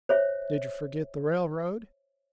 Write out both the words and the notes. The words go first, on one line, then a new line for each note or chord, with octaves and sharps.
Did you forget the railroad?
C5 C#5 E5